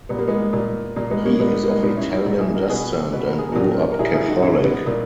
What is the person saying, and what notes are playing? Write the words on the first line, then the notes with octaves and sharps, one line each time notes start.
He is of Italian descent and grew up Catholic.
A#2 B3
A#3
G#3 B3
A#2
A#2 A#3
G#3 B3
A#3 C#4
A#2 G#3 B3
A#3
G#3 B3
A#2 B3 D#4
C#4 E4
D#4 F#4
A#2 D#4 F#4
E4 G#4
F#4 A#4
B2 G#4 B4
B2 B4
A#4
G#4
A#2 F#4 A#4
A#4
A#2 E4 G#4
E4 G#4
D#4 F#4
A#2 C#4 E4
B3 D#4
A#2 A#3